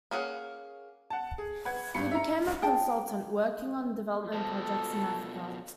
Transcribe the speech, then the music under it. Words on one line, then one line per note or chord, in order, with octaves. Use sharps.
He became a consultant, working on development projects in Africa.
A#3 C#4 G#4 F#5
F#5 A5
G#4
B4 F#5 G#6
G#1 G2 B5 C#7
E5 A#5
G#4 G5 A5
B2 F3 A4 A5